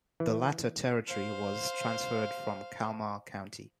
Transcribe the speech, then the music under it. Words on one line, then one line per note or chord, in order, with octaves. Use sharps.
The latter territory was transferred from Kalmar County.
E3
C5 F5